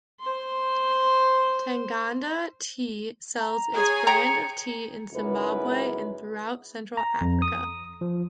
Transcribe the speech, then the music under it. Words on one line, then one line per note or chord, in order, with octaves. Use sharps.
Tanganda Tea sells its brand of tea in Zimbabwe and throughout central Africa.
C5 C6
A#5
G#4 C#5 G#5
G5 A#5 C#7
F#2 C#3 G#3 D#4 E4 B4
A#5
F2
D#6
F3